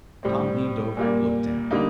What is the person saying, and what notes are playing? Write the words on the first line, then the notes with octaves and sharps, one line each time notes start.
Tom leaned over and looked down.
A2 G3 C4
A#2 G3 A#3
D3 G3 A#3 D#4